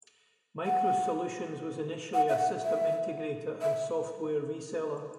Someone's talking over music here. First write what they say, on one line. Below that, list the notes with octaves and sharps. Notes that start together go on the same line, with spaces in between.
MicroSolutions was initially a system integrator and software reseller.
F#5
F#5
E5
F#5
E5
E5